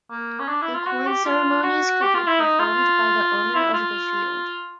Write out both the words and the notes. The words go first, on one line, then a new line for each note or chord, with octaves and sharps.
The corn ceremonies could be performed by the owner of the field.
A#3
C#4
D4
E4
F4
F#4
G4
F4
F#4
G4
F4
E4
D#4
F4
E4
F4